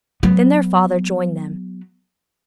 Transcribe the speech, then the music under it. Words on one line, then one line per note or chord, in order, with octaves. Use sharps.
Then their father joined them.
F#3 B3